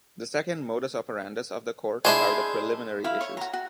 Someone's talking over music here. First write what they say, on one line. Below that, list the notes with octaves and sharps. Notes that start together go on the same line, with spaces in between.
The second modus operandus of the court are the preliminary issues.
G#3 D4 E4 G#4 C5
E4 F5 B5
C#5
F#4 A#5
F#4